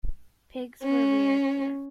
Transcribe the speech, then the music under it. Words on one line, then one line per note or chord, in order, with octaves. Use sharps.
Pigs were reared here.
C#4